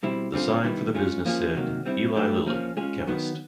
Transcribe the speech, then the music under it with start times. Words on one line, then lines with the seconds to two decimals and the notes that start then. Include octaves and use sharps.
The sign for the business said "Eli Lilly, Chemist".
0.03 B2 G3 C4 E4
0.33 D3 G3 C4 F4 G#4
0.64 D#3 G3 B3 E4
0.94 G#3 C#4 F4 G#4
1.25 F3 A#3 C#4 F4 G#4
1.55 C3 D#3 F#3 A#3
1.85 G3 C4 E4
2.16 A2 F#3 A3 D4 G4
2.46 F3 A#3 C#4
2.77 G#3 C#4 F4 G#4
3.07 D#3 F#3 B3